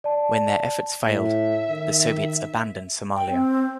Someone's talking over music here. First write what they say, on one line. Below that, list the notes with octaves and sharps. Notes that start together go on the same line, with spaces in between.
When their efforts failed, the Soviets abandoned Somalia.
D5 A5
A2 E5
D#3
G5
C4